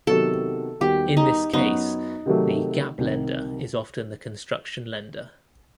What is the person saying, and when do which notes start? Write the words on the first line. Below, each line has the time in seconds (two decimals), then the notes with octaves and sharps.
In this case, the gap lender is often the construction lender.
0.07 C3 D#3 F#3 B3 F#4 A4
0.80 D#2 D#3 G3 B3 F#4 G4
1.17 D#4
1.53 F#2 F#3 B3 D#4 F#4
2.26 C3 D#3 F#3 A3
2.98 C2 C3 D#3